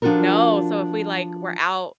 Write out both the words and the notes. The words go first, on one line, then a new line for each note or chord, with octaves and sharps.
No, so, if we, like, were out,
F3 D4 F4 F#4 A4 A#4